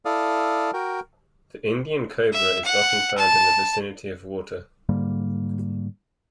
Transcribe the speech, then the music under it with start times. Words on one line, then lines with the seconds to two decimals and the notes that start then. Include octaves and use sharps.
The Indian cobra is often found in the vicinity of water.
0.05 E4 A4 D5 F5 D#6
0.74 F#4 A#4 G5
2.33 E5
2.65 F#5
3.18 A5
4.89 G#2 D3 G3 A#3